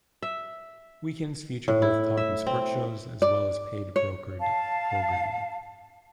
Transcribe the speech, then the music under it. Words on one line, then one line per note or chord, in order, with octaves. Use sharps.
Weekends feature both talk and sports shows, as well as paid brokered programming.
E5
A2
E4
E5
C4
D5
C#5
F5 A5